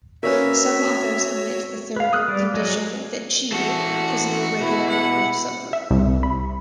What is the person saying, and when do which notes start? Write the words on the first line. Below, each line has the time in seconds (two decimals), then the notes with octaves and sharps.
Some authors omit the third condition that "G" has no regular normal subgroup.
0.23 A#3 C#4 F#4 B4 C#5 E5
1.96 B4 F5
2.13 D#6 F6 F#6
2.28 G3 D5
2.54 F#3 G#3 D#5
3.52 E3 F#4 A4 A5
4.61 B2 E4
4.89 F#5
5.73 E5
5.91 C2
6.23 B5